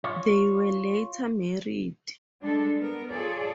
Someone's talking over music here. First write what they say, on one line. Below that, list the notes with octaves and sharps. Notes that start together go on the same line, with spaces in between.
They were later married.
F4 C#5
G3 G#3 D4 A4
B3 A#4
F4 G#4 A4 C#5 D5